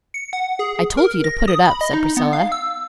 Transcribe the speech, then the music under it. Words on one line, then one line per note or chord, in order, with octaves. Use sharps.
"I told you to put it up," said Priscilla.
C#7
F#5
G#4
A#4
A#6
D#6
B5
D#5
D#4
B3
F5
E6